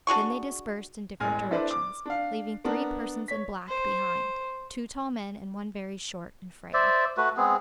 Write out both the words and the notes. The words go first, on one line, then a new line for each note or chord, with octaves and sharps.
Then they dispersed in different directions, leaving three persons in black behind, two tall men and one very short and frail.
D4 F#4 G#4 C#6
E1 A1 G#3 G#5 F6
D4 E4 A4 B4 C5 D5
D6
D4 F5
B3 D4 A#4
C#5 B6
C5
C5 D5 E5
A3 F#4 B4
G#3 B3 C4 G#4